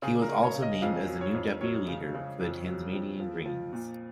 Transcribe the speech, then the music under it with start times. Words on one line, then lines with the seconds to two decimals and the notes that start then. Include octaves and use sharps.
He was also named as the new deputy leader of the Tasmanian Greens.
0.02 C#3 G#4
0.22 A#4
0.29 C#3
0.43 C#5
0.55 C#3
0.62 D#5
0.82 F2 F5
1.09 F#3
1.21 C#5
1.35 F2
1.61 F#3 C#5
1.88 C#3
2.14 C#3
2.41 F2
2.67 F#3
2.93 F2
3.20 F3
3.45 F3
3.73 A#2